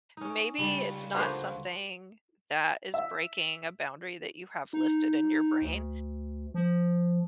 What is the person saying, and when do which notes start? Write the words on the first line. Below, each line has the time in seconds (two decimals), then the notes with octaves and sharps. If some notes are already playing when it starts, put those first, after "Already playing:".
maybe it's not something that is breaking a boundary that you have listed in your brain.
0.17 C#4 D#4
0.59 C#2 G3
1.15 D3 F3 A#3 F#4 B4 C5
2.94 E5
4.73 D#4
5.62 D2
6.54 F3